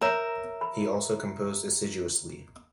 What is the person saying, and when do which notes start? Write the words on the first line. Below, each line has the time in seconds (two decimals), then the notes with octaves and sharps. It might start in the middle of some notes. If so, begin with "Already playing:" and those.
He also composed assiduously.
0.01 A#4 C#5 E5 A#5
0.61 B5